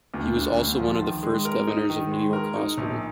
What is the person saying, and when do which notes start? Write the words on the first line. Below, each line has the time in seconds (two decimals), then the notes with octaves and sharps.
He was also one of the first governors of New York Hospital.
0.14 D2
0.36 D3
0.57 D2
0.79 F3
1.01 D#3
1.23 G#3
1.45 A#4
1.67 D#4
1.90 D#3
2.12 G#3
2.33 A#4
2.56 D#4
2.77 A#1